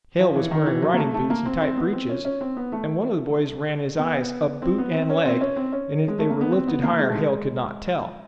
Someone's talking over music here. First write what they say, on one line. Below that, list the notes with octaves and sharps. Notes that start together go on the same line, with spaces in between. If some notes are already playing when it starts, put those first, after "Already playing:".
Hale was wearing riding-boots and tight breeches, and one of the boys ran his eyes up boot and leg and if they were lifted higher, Hale could not tell.
F3
E3
D#3
E3
F#3
A#3
A3
A3
A#3
C4
C4
B3
C4
C#4
C#4
C4
B3
A3
B3
C4
B3
C4
C#4
C4
C#4
C4
C#4
G#3
A3
A#3
B3
C4
B3
A#3
G#3
A3
G#3